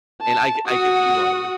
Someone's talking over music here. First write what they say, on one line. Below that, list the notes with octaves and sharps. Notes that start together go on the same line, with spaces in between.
and, I cou I could see why it is.
A5
F#4 D#6